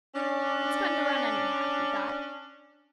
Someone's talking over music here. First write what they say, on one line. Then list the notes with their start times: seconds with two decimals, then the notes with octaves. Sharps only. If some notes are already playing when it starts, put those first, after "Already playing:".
"It's fun to run, anyhow," he thought.
0.15 C#4 D4